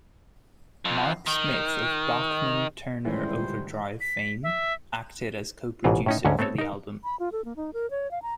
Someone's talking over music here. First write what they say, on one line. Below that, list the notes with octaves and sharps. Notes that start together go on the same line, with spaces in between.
Mark Smith of Bachman-Turner Overdrive fame acted as co-producer for the album.
F2 F3
D#3
G#1 C#2 A2 E3 G3 G#3 C#4 C5
B6
E5
A1 G#2 B2 E3 F4
A2 C#4 D#4
D2 G#2 D3 C#4
A3 B3 C4 A4 C#5
D#4 A#4
B5
F4
A4
A#3
D#4
A#4
C#5
F5
A#5